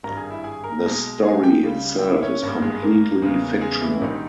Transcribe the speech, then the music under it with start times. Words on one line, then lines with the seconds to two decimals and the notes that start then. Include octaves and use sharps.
The story itself is completely fictional.
0.03 G#1 G2 G3 A#4 A#5
0.17 G#4 G#5
0.30 E4 E5
0.44 G#4 G#5
0.64 A#4 A#5
0.84 B1 B2 G#3
1.23 G#4 G#5
1.43 G4 G5
1.63 C#2 C#3 G3
1.99 G5
2.03 E4 E5
2.23 C#4 C#5
2.42 G#1 G2 G3 A#3 A#4
2.62 G#3 G#4
2.82 A#3 A#4
3.22 E2 C#3 G#3
3.61 G#3 G#4
3.81 E3 E4
4.01 A#1 G#2 D#3 G3 D#4